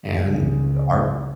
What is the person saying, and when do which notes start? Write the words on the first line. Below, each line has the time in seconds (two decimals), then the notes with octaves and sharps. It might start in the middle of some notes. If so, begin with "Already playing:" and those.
and our
0.23 C#2 C#3